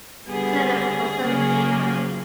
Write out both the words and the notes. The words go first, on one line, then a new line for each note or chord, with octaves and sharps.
Turner also paid well.
D3 G3 B3 G#4
C#3 F#3 A#3 C#4